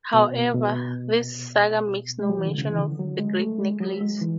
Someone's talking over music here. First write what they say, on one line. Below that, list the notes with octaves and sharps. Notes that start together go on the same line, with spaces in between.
However, this saga makes no mention of the great necklace.
B2
B2
G#3
F#3
E3
D3
C#3
E3
D3
F#3
G#3
A3
G#3
F#3
G#3
E3